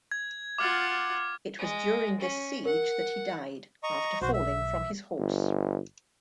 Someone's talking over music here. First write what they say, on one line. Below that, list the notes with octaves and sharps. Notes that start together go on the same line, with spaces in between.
It was during this siege that he died, after falling from his horse.
G#6
F4 F#5 D6 F6 A6
G#3
C#4
A#4 F#5
D#5 A#5 C#6
B1 F#4 C5
E5
G1